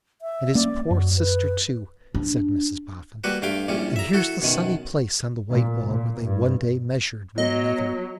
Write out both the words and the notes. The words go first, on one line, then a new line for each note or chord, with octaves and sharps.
And his poor sister too,' said Mrs Boffin. 'And here's the sunny place on the white wall where they one day measured one another.
E5
A#3 C#4 D5
F#2 F#3
B4
D4
G3 A#3 F#4 B4
G2 A3 F5 G5 B5
A#1 A2 G3 C#4
E5 A#5
E4 F#4 A4
F#2 B2 D#3
A#2
A#2
G2
F#3 B3 D#5